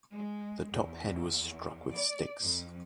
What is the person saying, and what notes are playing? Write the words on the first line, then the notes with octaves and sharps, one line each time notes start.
The top head was struck with sticks.
G#3
E2
D5
F2